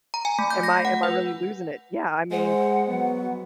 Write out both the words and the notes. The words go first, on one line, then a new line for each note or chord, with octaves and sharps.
Am I am I really losing it? Yeah, I mean,
A#5
G#5
A3
G6
A#6
F#5
B4
G#3 C5 F#5
F#3 B3